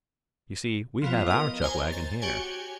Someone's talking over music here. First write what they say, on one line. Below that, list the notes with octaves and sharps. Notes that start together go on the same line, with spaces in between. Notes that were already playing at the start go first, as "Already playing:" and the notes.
You see we have our chuck wagon here.
F3 B3 F4
A#4 D#5
C5 C#5 G#5 A#5
A6
F#4 G4 C#5 G#5